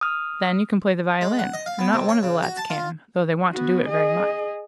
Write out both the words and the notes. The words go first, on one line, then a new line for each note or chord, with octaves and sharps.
Then, you can play the violin, and not one of the lads can, though they want to do it very much.
D#6 F6
G#3
F#5
D#5
F5
B3
C3
C#5
C#3
F#4
A5
F4
B3 F#4
G#4 D#5